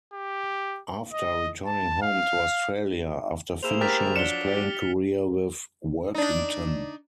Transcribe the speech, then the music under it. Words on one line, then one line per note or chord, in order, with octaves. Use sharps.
After returning home to Australia after finishing his playing career with Workington.
G4
D#5
A5
F5
A#3 E4 G#4 C5 E7 F7
G4 A#4 F6 A6 B6
F3 F#3 D4 C#7 E7 G7
G4
D4 D#4